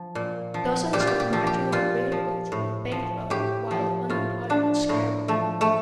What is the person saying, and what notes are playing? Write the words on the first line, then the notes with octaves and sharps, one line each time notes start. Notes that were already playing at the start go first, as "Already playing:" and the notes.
Dozens of marginal railroads went bankrupt while unemployment skyrocketed.
Already playing: F3
A#2
F3
A#2 G4
F4
G4
G4
F3
G4
A#2 F4
F3
A2
F3
A2 G4
F3
A2 F4
F3 D4
A2
F3 A3
A3